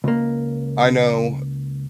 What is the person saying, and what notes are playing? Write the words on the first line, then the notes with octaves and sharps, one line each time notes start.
I know
C#2 A#3